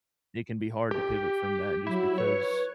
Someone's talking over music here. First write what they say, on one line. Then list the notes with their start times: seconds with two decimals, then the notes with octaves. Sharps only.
It can be hard to pivot from that just because,
0.91 G4
1.87 F#3 E4
2.18 B4 C#5